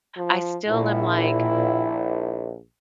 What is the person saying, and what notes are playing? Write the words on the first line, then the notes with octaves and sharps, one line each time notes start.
I still am, like,
F3
A#1 A#2 E4